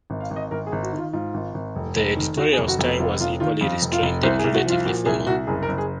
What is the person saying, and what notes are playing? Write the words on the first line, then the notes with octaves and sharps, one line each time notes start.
The editorial style was equally restrained and relatively formal.
G#1
F5
G#1
D#5
G#1 A#4
G#4
G#1
F#4
D#3 F4
G#2 F4
G#1
G#1
F1
F1
D#3
D#2 F#4
G#4
F1
F#4
F1
F#4
F1 F4
F1 F4
D#3 F4
F2 F4
F1
F4
F1
C2 C5
G#4
C2
F#4
F3 F4
A#2 F#4
C2 G#4
C2 F#4
F#1 G#4
A#4
F#1
G#4